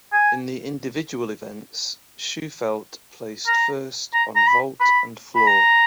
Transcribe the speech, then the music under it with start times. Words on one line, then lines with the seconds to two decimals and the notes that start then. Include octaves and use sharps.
In the individual events, Shewfelt placed first on vault and floor.
0.13 G#5
3.47 A#5
4.14 A#5
4.36 A#5
4.47 B5
4.81 B5
5.36 B5
5.47 A#5